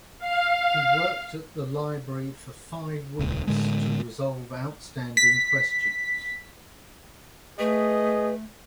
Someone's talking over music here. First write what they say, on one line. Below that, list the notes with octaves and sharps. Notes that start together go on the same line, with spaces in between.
He worked at the library for five weeks to resolve outstanding questions.
F5
D#1 C#2
A2 D3 G#3
B6
A3 G#4 B4 D#5